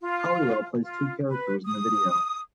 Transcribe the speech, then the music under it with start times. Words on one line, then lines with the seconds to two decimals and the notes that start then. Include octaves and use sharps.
Halliwell plays two characters in the video.
0.01 F4
0.83 F4
1.28 B4
1.64 D#6